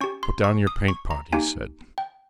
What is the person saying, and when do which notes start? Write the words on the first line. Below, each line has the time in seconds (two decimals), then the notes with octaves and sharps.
"Put down your paint pot," he said.
0.01 C#4 G4 C#6
0.23 C6
0.44 C#6
0.67 D#6
0.88 C#6
1.11 A#5
1.33 A#3 D#4 G4 G#5
1.98 G5